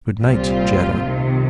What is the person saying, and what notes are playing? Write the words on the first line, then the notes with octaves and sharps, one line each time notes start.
"Good night--Jetta."
C2 A#2 G3 C4 F4
C2 C3 D#3